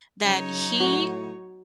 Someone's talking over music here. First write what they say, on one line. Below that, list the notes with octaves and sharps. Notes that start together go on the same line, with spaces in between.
that he,
C#3 F#3 D#4 C#5
A2 F#4